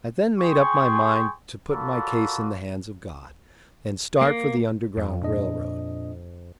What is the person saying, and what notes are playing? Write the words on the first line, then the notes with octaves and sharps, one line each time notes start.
I then made up my mind to put my case in the hands of God, and start for the Underground Rail Road.
G#4 G5 G#5 C6 C#6
F4 F#4 A4 A#4 D5 B5
A#3
F2
A#2 D4 D#5